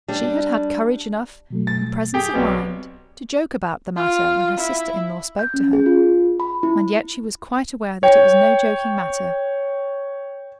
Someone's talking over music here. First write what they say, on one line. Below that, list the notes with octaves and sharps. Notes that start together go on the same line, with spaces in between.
She had had courage enough, and presence of mind, to joke about the matter when her sister-in-law spoke to her, and yet she was quite aware that it was no joking matter.
G3 D4
B2 F#3 A3
A6
G4 G#4 G5
B1 B3 C4 D5
F4
E4
G6
C#4
G#4
F4
B5
E4
C#5 G5